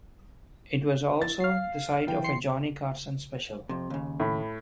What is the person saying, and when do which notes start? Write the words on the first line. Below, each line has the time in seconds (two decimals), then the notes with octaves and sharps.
It was also the site of a Johnny Carson special.
1.22 A6
1.40 F5 C7
2.07 E3 G5
2.24 C6 C7 C#7
3.69 F2 C3
3.90 D#2 C#3
4.20 A2 B5